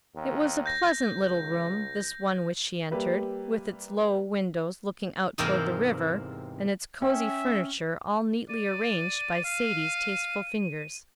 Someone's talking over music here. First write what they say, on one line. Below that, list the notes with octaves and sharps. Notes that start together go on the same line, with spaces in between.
It was a pleasant little room, this one which she entered, with its low windows looking out toward the river, and its cosy furniture all neatly arranged by Sadie's tasteful fingers.
D#2
G6 A#6
C#2
G3 A#3 G4 B4 E5
E2 G#2 C3 A#3 C4 A#4
C#4 E5 G5
D5 D#7
F5